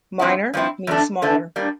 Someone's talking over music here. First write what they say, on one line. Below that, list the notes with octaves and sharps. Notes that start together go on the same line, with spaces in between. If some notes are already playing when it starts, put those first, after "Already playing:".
"Minor" means 'smaller'.
G2 F3 C4 E4
G2 F3 C4 E4
E2 D3 A3 D4
E2 D3 A3 D4
A2 G3 A#3 D4